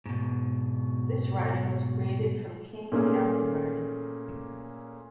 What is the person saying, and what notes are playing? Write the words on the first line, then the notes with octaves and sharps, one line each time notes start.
This riding was created from King's County riding.
G#2 B2
A#2 A3 A#3 C#4 G#4